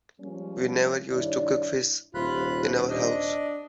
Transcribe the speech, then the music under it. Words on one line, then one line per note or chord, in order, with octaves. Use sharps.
We never used to cook fish in our house.
F3 G3 G#3 A#3 C#4
G2 D#3 D4 E4 C#5 D5
D#1 C3 F4 B5 F#6
D4 D#5